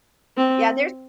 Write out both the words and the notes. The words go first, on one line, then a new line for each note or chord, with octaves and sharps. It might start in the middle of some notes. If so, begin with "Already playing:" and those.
Yeah, there's
C4